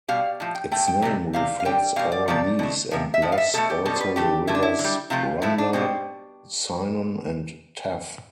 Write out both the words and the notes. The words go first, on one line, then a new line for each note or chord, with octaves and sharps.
Its name reflects all these, and thus also the rivers Rhondda, Cynon and Taff.
B2 G3 F5
A2 F3
G5
B2 A3 G5
G5
C3 E3 G3
C3 G3 F5
F5
D3 G3 G5
B2 G3 F5
D5
C3 F3 A3 D5
B2 A3
C3 F3
E5
A2 F3
F5
E5
B2 A3 A4
G4
B2 G3 A4
C5
B4
D3 A3 G4
D3 A3 E4
D4
E4
D3
G3
C3 F3 A3 F4
A2 F3 A3 E4
D4
B2 G3 C4